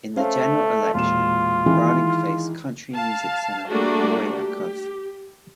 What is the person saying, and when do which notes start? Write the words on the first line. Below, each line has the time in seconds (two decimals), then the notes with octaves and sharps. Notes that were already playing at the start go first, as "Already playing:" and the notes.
In the general election, Browning faced country music singer Roy Acuff.
0.16 A3 C#4 C5 F5
0.94 E1 A#2 F4 E7
1.66 D#3 E3 G#3
2.94 F5 A5
3.68 G3 A3 A#3 D4 F#4 G#4
4.37 G4